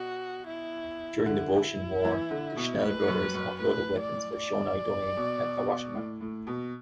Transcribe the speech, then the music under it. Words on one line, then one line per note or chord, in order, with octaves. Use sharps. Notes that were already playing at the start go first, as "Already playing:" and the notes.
During the Boshin War, the Schnell brothers offloaded weapons for Shonai Domain at Awashima.
Already playing: B2 F#4
E4
D3 E4
E3
D3
B2
A2 B4
F#2
F#2
A2 B4
D5
D5
B2
B2
A2
A2
B2